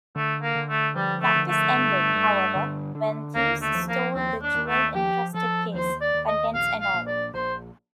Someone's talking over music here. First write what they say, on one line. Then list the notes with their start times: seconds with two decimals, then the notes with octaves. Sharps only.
The practice ended, however, when thieves stole the jewel-encrusted case, contents and all.
0.16 D3 A3
0.42 A#3
0.55 D3
0.69 A3
0.96 F3 G3
1.21 A3
1.35 D3
1.49 A3
1.75 G2
2.15 G2
2.55 D3
2.95 D3
3.35 D#2 A#3
3.62 A3
3.75 F3
3.89 A#3
4.15 D#2 C4
4.42 D4
4.54 D#2
4.67 A3
4.95 F3 G4
5.34 F3 A4
5.74 D#2 C5
6.01 D5
6.14 D#2
6.28 D#5
6.54 A#1 F5
6.81 F5
6.94 A#1
7.07 D5
7.34 A#1 C5